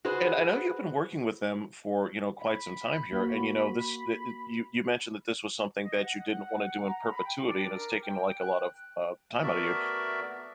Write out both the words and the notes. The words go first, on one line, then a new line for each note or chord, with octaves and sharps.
and I know you've been working with them for, you know, quite some time here, and you know, this the uh you you mentioned that this was something that you didn't wanna do in perpetuity and it's taken, like, a lot of, uh, time out of you.
F#4 G#4 B4 C5
B5
A#3 F#4
D#5
F#5
A#5
B5
G5
D4
A#4
G5
F#6
A3 B3 F#4 A#4 D5 E5